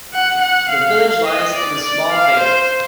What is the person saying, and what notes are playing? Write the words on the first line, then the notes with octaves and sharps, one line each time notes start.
The village lies in a small vale.
F#5
F#5
F5
D#5
D5
D5
F5
C5